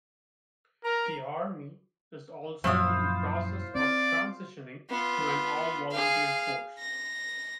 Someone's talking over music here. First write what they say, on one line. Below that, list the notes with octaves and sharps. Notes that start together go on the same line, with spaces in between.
The Army is also in the process of transitioning to an all volunteer force.
A#4 A#5
F#2 A#2 F3 E4 F4 C5 D#6
C4 D5
B3 F4
G#4 F5
A#6